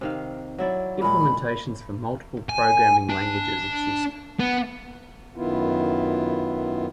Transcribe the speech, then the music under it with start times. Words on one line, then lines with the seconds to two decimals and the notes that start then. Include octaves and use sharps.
Implementations for multiple programming languages exist.
0.01 C3 D#3 F5
0.58 F#3 E4 D5
1.02 A#2 G#3 B5
2.49 G#5
3.10 D4
4.40 B3
5.36 F#2 D#3 B3 E4 F4